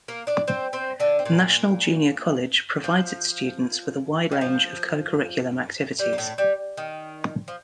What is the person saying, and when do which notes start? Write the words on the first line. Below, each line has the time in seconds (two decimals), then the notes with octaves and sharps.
National Junior College provides its students with a wide range of co-curriculum activities.
0.08 A#3 A#4
0.27 D4 D5
0.48 C4 C5
0.73 C4 C5
1.00 D3 D4
1.19 C4
1.25 A#2 A#3
2.84 F3
4.32 D#3
4.41 F3
5.99 G3
6.13 A#3
6.18 A2 A3
6.38 G3
6.77 D#3
7.48 F3